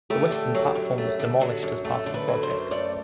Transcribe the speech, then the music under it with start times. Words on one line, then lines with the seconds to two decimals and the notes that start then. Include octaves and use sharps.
The western platform was demolished as part of the project.
0.10 A3 G4
0.32 D3
0.54 F#3
0.75 F#2
0.98 A3
1.20 D3
1.41 F#3
1.63 F#2
1.85 A3 A4
2.06 D3
2.14 B4
2.28 F#3
2.43 C5
2.50 F#2
2.71 A3 D5